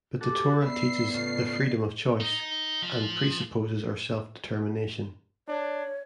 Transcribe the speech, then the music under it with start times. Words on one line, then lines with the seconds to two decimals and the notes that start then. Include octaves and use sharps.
But the Torah teaches the freedom of choice and presupposes our self-determination.
0.21 F#4 G4 A4 D6 F#6
0.62 B3 D5 E5 B5 C7
1.14 A2 C#3 F4
2.21 D#4
2.82 F3
5.48 D4 C#5